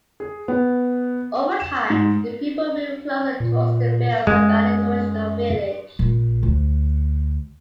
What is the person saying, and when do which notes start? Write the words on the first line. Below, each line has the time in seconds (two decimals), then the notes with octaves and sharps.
Over time, the people moved closer towards the fields, abandoning the original village.
0.20 G#4
0.48 B3
1.60 E7
1.90 G#2
3.40 A#2
4.27 F#2 G#3
5.99 A#1
6.43 D2